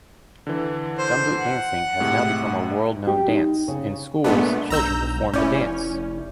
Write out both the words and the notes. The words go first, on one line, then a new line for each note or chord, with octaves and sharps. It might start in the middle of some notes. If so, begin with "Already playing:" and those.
Gumboot dancing has now become a world-known dance; in schools children perform the dance.
D3 E3
C5
F#5
A2 C3 G#3
G4
D#4
C#3
A#2 G#3 A3 B3 D4
B1 A#5 E6 G6
F1 C#4 E4 D5 G6